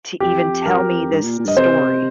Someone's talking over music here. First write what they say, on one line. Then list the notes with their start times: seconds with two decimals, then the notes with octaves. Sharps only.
to even tell me this story,
0.20 F2 G4
0.66 G2 A#4
0.75 F2
0.90 F2
1.12 G2
1.23 A#2
1.39 A#2
1.46 G2 D#5
1.57 C3 C5